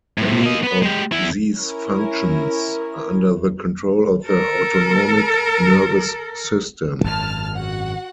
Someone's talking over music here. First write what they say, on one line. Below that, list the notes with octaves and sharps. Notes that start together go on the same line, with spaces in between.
Many of these functions are under the control of the autonomic nervous system.
A2 C3
A#3 D#5
B3 B4
G#3 G4
E2 E4
C#4 E4 A#4
A4 A#4
G#1 F#2 A5 F6
F#4 F#5